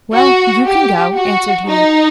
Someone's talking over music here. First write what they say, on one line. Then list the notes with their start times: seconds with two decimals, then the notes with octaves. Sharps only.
'Well, you can go,' answered he.
0.13 F#4
0.64 G4
1.16 F#4
1.67 D#4